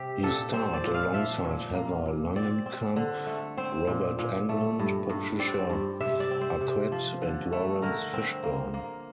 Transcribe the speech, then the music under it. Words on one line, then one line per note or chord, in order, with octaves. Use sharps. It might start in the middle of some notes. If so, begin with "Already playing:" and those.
He starred alongside Heather Langenkamp, Robert Englund, Patricia Arquette, and Laurence Fishbourne.
Already playing: C3 G4
A#2 A4
C4 C5
D5
A#2
F5
F3 E5
A#2
A#3
A#2
C4 D5
C4
D3
A3
C4 C5
A#2
A#2
A3
G2
G2
C4 D5
G2
C3 E5
D5
C4
C5
C3
F3
D3
A3
D3 A#4
C4
A#3
A#3